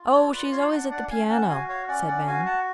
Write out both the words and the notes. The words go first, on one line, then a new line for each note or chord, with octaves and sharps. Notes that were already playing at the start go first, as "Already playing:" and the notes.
"Oh, she's always at the piano," said Van.
Already playing: F4
A4 C#5
F4 B4 D5
C#5 F5
D4 D5 F#5
D5 F#5
C#4 F5 G#5
F#5 A5
F#4 F5 G#5
C#5 F5
C#4 D5 F#5
D5 F#5
F#4 F5 G#5
F#5 A5